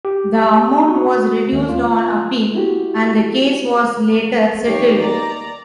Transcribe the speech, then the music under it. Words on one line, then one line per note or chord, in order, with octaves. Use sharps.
The amount was reduced on appeal and the case was later settled.
G4
F#4
D#2
F4
E4 F#4 G4
D#2 G4 C#5
D5 A#5